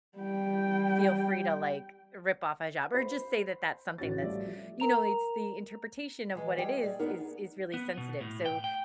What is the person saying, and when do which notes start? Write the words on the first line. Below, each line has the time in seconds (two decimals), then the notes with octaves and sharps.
feel free to, like, rip off a hijab or just say that that's something that's you know, it's the interpretation of what it is, is is really sensitive. So
0.18 G3 G5
2.94 C5 B5
3.98 A1 F#4 C#5 A6
4.22 F3 G3 A3 G4 D5 E5
4.80 A#4 A#5 F7
6.35 E3 G#3
6.58 G3 G#3 G5
6.83 G#4 D5
6.99 B3 D#4 G#4 A#4
7.74 B3
7.98 B2
8.21 A2
8.46 G5
8.64 G5